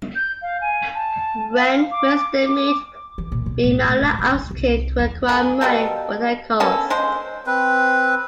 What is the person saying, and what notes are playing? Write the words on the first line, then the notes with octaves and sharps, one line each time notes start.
When first they meet, Bimala asks him to acquire money for their cause.
G6
F5
G#5
A5
F5
D6
D6
E3
A#2
B1
A2
A#1
G#2
D3
D#4
C2
E2
A#3 G#4
B2 G3 A#3 A4
A#3 B3 C#4 A4
G#3 G#4 C5
C4 B4